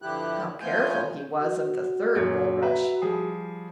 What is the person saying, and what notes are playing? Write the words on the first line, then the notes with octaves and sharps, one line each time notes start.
How careful he was of the third bulrush!
G2 D3 F3 E4 G4 F#6
F3 A3 B3 F4 G#5 G6
F#4
F#2 A#2 C#5
B4 E5 A#5
F3 G3 G#4